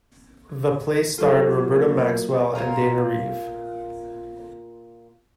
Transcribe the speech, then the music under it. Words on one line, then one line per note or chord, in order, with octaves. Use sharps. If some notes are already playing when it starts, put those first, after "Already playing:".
The play starred Roberta Maxwell and Dana Reeve.
F#3 F4 A4
A#3
A#2 F3 F4 A#4